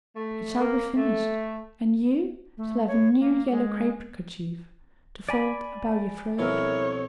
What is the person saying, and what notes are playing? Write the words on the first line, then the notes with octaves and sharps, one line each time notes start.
It shall be finished, and you shall have a new yellow crape kerchief to fold about your throat.
A3
A#3
A3
A3
C#5
A#3
G#3
D5 G#5 B5
C2 F2 B2 E4 A#4 C#5